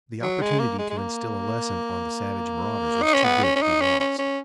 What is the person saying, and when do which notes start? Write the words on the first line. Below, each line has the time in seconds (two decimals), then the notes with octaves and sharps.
The opportunity to instill a lesson on the savage marauders was too good to be lost.
0.22 F#3
0.41 G#3
0.60 A#3
0.79 G#3
0.90 G#3
0.98 A#3
3.02 D#4
3.14 C#4
3.24 B3
3.43 C#4
3.56 C#4
3.62 D#4
3.81 C#4
4.00 C#4
4.19 C#4